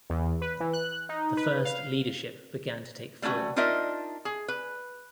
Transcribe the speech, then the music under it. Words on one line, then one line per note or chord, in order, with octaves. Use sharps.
The first leadership began to take form.
E2
B4
E3
F#6
D#4
B4
F5
G3 A3 C#4 E4 F#4
D4 D#4 F4 A#4 D#5 E5
G#4
B4